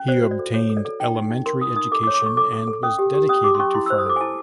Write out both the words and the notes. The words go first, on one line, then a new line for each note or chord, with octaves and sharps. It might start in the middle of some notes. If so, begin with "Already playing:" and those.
He obtained elementary education and was dedicated to farming.
Already playing: C#4
C5 D5
F#4
D5
A4
A4 C#5
A4
D5
A4
D#4 G5
D#4
D#4
A#4 C6
D#4 D#6
D#4 D#6
A4 D6
D6
C#5
D6
A4 C#6
A4 D6
A4
A4
C#4 D#6
G4
G4
C#4 D#6
G4 D6
C6
C#4 C#6
E4 C6
E6
C5
D#6
A4 D6
G#5
E4 A5